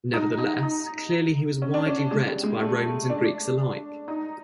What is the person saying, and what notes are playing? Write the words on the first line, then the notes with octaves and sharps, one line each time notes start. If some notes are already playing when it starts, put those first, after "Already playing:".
Nevertheless, clearly he was widely read by Romans and Greeks alike.
D#4
D#4
D#4
C#4
D4
C#4
G#3
G3
G#3
A3
D4
D#4